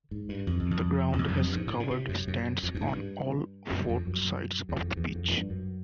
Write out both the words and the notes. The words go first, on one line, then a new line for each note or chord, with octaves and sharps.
The ground has covered stands on all four sides of the pitch.
G#2
G2
F2
F2
F2
E2
F2
F#2
F2
G2
G#2
A2
A#2
C3
F#2
F#2
F2
F#2
G#2
G2
F#2
F2
F#2
E2
F2
E2
F2
G2
F#2